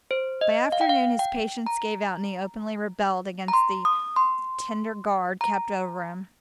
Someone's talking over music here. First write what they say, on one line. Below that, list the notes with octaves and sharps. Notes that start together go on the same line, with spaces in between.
By afternoon his patience gave out, and he openly rebelled against the tender guard kept over him.
C5
D#5
F5
G5
F5
G5
A#5
A#5
C6
D#6
C6
A#5